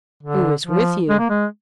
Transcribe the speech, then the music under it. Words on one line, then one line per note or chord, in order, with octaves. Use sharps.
'Who is with you?
D3
F3
G#3
A#3
G#3